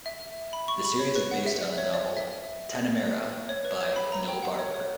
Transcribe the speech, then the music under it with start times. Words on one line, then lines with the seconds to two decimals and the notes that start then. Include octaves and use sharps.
The series is based on the novel, "Tanamera", by Noel Barber.
0.06 E5
0.53 B5
0.68 C#6
0.85 B5
0.99 C#5
1.16 B4
1.31 F#5
1.46 E5
1.62 D5
1.78 C#5
1.94 D5
2.17 E5
3.49 C#5
3.65 B4
3.81 C#5
3.96 B5
4.12 A#5
4.28 G5
4.43 F#5
4.59 C#5
4.74 C#5